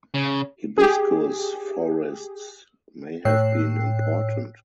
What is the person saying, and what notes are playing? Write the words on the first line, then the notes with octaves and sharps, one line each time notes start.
"Hibiscus" forests may have been important.
C#3
G4 G#4
A2 C#5 G5 E6 F#6 C7